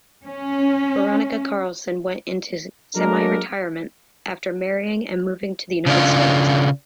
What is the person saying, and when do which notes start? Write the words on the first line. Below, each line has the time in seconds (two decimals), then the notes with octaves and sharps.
Veronica Carlson went into semi-retirement after marrying and moving to the United States.
0.26 C#4
2.96 F#3 G#3 A#3 D4 A4 A#4
5.86 C#3 D4 F4